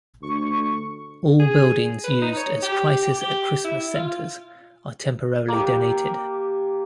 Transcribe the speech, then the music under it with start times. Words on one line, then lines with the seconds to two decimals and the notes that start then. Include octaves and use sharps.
All buildings used as Crisis at Christmas Centres are temporarily donated.
0.23 D2 C#6
1.40 G#4
2.04 B4
2.22 D#4
2.37 C#5
2.62 G4
3.02 G4
3.21 G4
3.64 E4
3.94 F4
5.48 A#3 G4